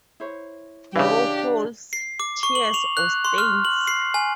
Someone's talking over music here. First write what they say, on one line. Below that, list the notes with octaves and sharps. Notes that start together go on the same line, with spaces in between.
No holes, tears, or stains.
E4 C5 C#5
C#3 E3 D4 G4 C#5 E5 F5
C7
D6
C#6
F#7
F7
F#6
C6
F6
F#7
C7
G#5